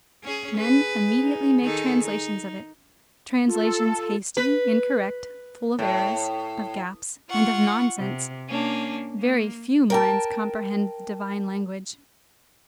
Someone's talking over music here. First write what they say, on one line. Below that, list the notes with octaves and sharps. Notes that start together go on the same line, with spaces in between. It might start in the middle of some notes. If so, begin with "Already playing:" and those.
Men immediately make translations of it; translations hasty, incorrect, full of errors, of gaps, and of nonsense. Very few minds comprehend the divine language.
C#4 G#4
G#4 B4
D#4
D#3 D#4 A4
D#4
F4 A4
B4
A2
F4 F#5 C#6
C3
A#3 C#4 D4
A#3
A#4 G5 A5